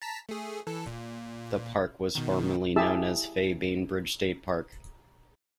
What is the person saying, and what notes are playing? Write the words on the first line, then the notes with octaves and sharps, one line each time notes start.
The park was formerly known as Fay Bainbridge State Park.
A5 A#5 B6
A3 G#4
E3 A4
A#2
B2 D#3
E4 G4 G#4 E5 A5 E6